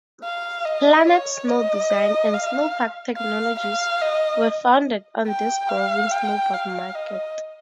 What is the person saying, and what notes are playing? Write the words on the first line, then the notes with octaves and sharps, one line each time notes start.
Planet Snow Design and Snow Park Technologies were founded on this growing snowboard market.
F5
D#5
C#5
D#5
F5
F5
F5
D#5
G5
F5
G5
F5
D#5